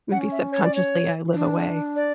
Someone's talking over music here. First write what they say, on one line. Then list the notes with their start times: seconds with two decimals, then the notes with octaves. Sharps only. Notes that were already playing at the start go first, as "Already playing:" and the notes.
Maybe subconsciously, I live away.
0.11 C#4 F#5
0.32 E5
0.52 C#5
0.63 D5
0.75 C#5
1.34 D4
1.96 D5